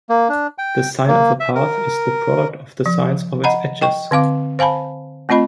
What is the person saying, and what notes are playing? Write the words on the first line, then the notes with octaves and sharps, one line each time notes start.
The sign of a path is the product of the signs of its edges.
A#3
D4
G5
A#3
E5
A#4
F3
D#5 F#5 A#5 B5
D#5 G5 C#6
D3 C4 F5 D6
C5 F5 G#5 A5 B5
A3 C4 F4 D#5 B5